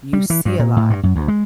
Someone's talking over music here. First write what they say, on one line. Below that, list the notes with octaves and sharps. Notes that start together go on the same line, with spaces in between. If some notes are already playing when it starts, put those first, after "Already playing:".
you see a lot,
G3
E3
G2
A#2
A2
G2
F#2
D2
G#3